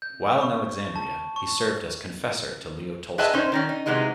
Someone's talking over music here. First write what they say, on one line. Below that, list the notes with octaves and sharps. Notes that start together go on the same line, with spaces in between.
While in Alexandria, he served as confessor to Leo Tolstoy.
G6
C#6
A5
C#6
G#4 B4 D#5 E5 G#5 A5
C#4 D#4 C5
D#3 F#3 C#4
D#4
C3 E3 F#3 G#3 D#4